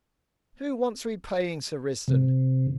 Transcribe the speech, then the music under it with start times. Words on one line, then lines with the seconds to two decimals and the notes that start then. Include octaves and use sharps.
Who wants repaying, Sir Risdon?
2.08 C3